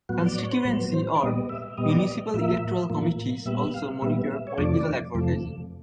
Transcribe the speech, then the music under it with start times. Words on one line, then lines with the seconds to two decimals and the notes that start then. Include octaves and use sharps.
Constituency or municipal electoral committees also monitor political advertising.
0.09 A2 F#3 B3 F#4
0.26 D5
0.38 C#5
0.52 C5
0.65 A2 F#3 B3 B4
0.94 C5
1.15 D5
1.21 A#2 G3 B3 D#5
1.49 E5
1.77 A#2 G3 B3 D#5
1.90 D5
2.02 D#5
2.34 A2 F3 A#3 E5
2.90 A2 F3 A#3
3.45 A#2 G3 B3 E5
3.74 F5
4.02 A#2 G3 B3 E5
4.31 E5
4.47 C#5
4.58 F2 C3 F3 A3 D5
5.14 F2 C3 F3 A3